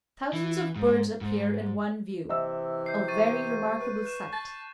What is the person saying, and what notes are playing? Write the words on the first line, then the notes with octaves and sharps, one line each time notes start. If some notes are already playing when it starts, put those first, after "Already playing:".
Thousands of birds appear in one view--a very remarkable sight.
E3
G#2
G#2
C3 E3 D#5 E5 E6
G6 C7
C#6 A6 D#7
B4
F#6 E7
A5 A6